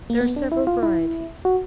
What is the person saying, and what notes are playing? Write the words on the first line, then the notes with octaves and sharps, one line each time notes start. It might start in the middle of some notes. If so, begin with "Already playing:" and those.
There are several varieties.
A#3
B3
D4
E4
F4
E4
F#4